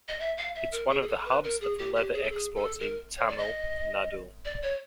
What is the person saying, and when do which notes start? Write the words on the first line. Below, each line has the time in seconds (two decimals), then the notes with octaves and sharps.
It's one of the hubs of Leather exports in Tamil Nadu.
0.08 D#5
0.19 E5
0.37 F5
0.55 E5
0.72 A#4
0.90 G#4
1.02 G#4
1.08 A4
1.25 B4
1.44 A#4
1.61 G#4
1.78 G4
1.96 G4
2.14 G#4
2.24 A4
2.32 G#4
2.56 A4
2.80 A#4
3.17 C#5
3.28 D5
3.38 D#5
4.45 D5
4.62 C#5